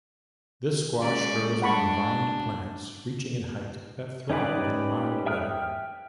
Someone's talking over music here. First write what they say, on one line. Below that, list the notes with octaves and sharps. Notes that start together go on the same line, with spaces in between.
This squash grows on vined plants reaching in height that thrive in mild weather.
G#3 C#4 D5
D4 F#5 B5 C#6
G#5
C#4 D#4 G4 B4 D5
E5 G5 D#6 F6 F#6